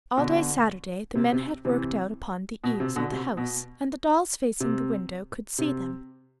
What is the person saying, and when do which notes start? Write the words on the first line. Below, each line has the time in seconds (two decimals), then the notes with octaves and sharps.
All day Saturday the men had worked out upon the eaves of the house and the dolls facing the window could see them.
0.17 B2 D3
1.15 C3
1.32 C3
1.65 C3 E3
2.64 B2
2.80 C3
2.96 B2 D3
3.12 C3
3.37 B2
4.60 C3
5.58 C3